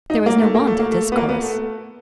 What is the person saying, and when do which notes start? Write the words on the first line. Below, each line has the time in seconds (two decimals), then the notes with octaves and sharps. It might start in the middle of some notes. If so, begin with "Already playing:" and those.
There was no want of discourse.
0.10 D#4
0.26 A#3
0.42 A3
0.55 A#3
0.67 A3
0.79 A#3
0.92 A3
1.12 B3
1.17 A#3
1.29 B3
1.41 A3